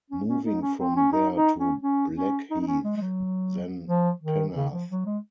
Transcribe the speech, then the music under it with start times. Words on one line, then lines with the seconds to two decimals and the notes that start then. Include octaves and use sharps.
Moving from there to Blackheath then Penarth.
0.10 C#4
0.28 C#4
0.45 D#4
0.61 C#4
0.79 C4
0.96 C#4
1.12 D#4
1.35 D#4
1.58 C#4
1.82 C#4
2.16 C#4
2.50 D#4
2.61 D#4
2.67 C#4
2.84 G#3
2.96 G#3
3.01 F#3
3.87 F3
4.21 D#3
4.56 C#3
4.73 F3
4.90 F#3
5.06 G#3